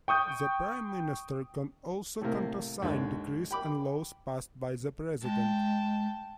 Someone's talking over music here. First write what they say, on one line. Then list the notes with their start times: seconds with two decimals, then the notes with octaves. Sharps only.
The prime minister can also countersign decrees and laws passed by the president.
0.08 G5 C#6 D#6 G6
2.21 A2 C3 A#3
2.82 D#2 G#2 D3
3.51 G5 B5 D6
5.22 G#3 G5 A5